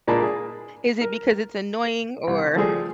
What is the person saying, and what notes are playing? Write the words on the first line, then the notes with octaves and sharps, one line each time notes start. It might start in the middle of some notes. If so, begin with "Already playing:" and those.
Is it because it's annoying or
A#2 G#3 A#3 D4 A5 B5
G#4
A#4
C2
F3 G3 A3 G#4 C5